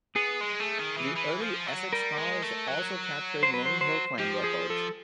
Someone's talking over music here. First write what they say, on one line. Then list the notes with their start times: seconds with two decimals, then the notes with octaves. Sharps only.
The early Essex cars also captured many hill climb records.
0.16 B3 G#4
0.41 G#3
0.60 A3
0.79 D#3
0.97 E3
1.16 E3
1.41 F3
1.67 F#3
1.93 G3 A#4
2.18 G#3
2.42 A3
2.68 F#3
3.43 C5
3.54 B4
3.65 C5
3.81 C5
4.19 F3 G4
4.44 G#4
4.70 A4